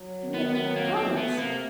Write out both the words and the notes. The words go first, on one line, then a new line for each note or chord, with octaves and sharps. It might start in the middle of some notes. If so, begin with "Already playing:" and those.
"And yet you have promised?"
Already playing: F#3
D#3
B3
F#3
B3
F2 A#3
C4
A3
B3
C3
A#3